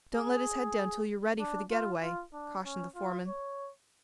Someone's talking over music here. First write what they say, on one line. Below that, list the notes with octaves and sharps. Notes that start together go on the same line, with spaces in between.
"Don't let his head down till you're ready for the get-away," cautioned the foreman.
G#4
D4
F4
F4
D4
C#4
F4
C#5